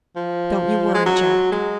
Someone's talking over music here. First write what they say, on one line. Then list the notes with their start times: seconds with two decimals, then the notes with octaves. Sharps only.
"Don't you worry, Jack."
0.16 F3
0.94 G#3
1.06 F#3
1.52 G#3